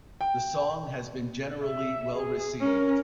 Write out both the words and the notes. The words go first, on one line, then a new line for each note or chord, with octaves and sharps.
The song has been generally well received.
G5
E5
G#4
C#4 A#4